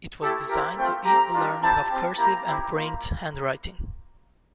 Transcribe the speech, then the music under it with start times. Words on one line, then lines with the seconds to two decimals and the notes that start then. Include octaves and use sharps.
It was designed to ease the learning of cursive and print handwriting.
0.21 A3 E4 G4 A4
0.49 C4 E4 G4 A#4
0.77 A3 C4 F4 G5
1.04 A3 C4 G4 A#5
1.33 G3 D4 F4
1.61 C4 E4 G4 A5
1.89 C4 G4
2.17 A#3 E4 G4 A#5
2.46 C4 E4 G4
2.73 A#3 F4 A#5